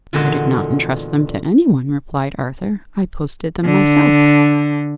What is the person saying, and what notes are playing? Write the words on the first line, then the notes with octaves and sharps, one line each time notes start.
"I did not intrust them to any one," replied Arthur; "I posted them myself."
E2 A#2 D3 G#3 F#4 A5
D3